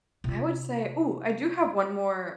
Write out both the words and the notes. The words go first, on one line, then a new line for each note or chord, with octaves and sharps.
I would say ooh, I do have one more
C3 F4